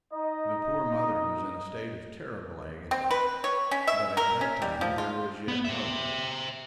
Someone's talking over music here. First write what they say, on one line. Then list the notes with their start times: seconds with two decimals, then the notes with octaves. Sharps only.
The poor mother was in a state of terrible agony, but at that time there was yet hope.
0.12 D#4 D#5
2.91 C4
3.11 B4
3.44 C#5
3.71 C#4
3.87 E5
4.17 A#4
4.41 C#4
4.62 G3
4.81 F3
4.98 F4
5.48 B3
5.65 C5 E5